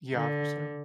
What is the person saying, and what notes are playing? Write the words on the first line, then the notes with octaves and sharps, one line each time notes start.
Yeah, for certain.
D3